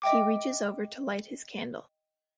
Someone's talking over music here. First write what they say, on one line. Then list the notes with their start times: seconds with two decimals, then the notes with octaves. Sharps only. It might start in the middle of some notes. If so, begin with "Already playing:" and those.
He reaches over to light his candle.
0.02 D#5 E5 G5 D6